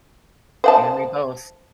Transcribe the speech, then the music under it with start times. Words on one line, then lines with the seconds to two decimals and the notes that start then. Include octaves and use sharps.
You and me both.
0.64 C5 F#5 A5